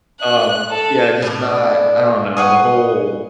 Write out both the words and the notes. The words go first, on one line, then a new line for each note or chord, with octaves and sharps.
um, yeah, just not I don't know, the whole
F#6
A4
A2 D4
B4 F5 F#5 G#5 C#6 D#6